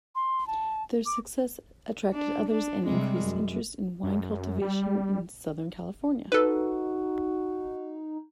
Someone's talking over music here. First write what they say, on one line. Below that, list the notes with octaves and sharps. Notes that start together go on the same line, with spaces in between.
Their success attracted others and increased interest in wine cultivation in Southern California.
C6
A5
D6
D4
D4
C3 G3 G#3
F#2
F#2
G3
D#4 F#4 A4 B4